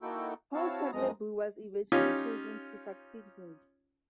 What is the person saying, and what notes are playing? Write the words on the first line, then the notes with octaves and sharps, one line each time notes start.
Paul Tagliabue was eventually chosen to succeed him.
A#3 D#4 E4 F#4 A4 G5
C4 E4 F#4 C#5 F5 A5
F#2 F3 G#3 A#5 D#6
C#4 D#4 F4 G4